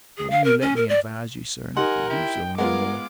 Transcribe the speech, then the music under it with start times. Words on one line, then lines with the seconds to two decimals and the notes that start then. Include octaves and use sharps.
Won't you let me advise you, sir, not to do so no more?
0.17 G#4
0.30 F5
0.44 A#4
0.61 C#4
0.76 A#4
0.89 D5
1.76 D#4 G4 A#4 F#5 G#5 C6
2.10 E4 G5
2.58 G#3 B3 F4 A#4 F#5 D6